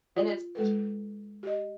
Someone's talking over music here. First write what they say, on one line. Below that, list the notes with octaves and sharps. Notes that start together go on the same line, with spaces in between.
And it's e
F4
G#3 A4 B4
G4 D#5